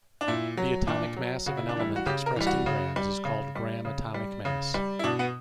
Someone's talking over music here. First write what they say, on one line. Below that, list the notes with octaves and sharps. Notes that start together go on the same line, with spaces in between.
The atomic mass of an element expressed in grams is called gram atomic mass.
D4
A#2 E4
F#3
A#2 D4
F#3
C#3 F#4
E4
D4
E3 G3 E4
F#4
C#3 G4
A#4
E3 G3
F#4
C#3
G3
C#3
G3
C#3
G3
C#3
G3
E4
B2 D4
B3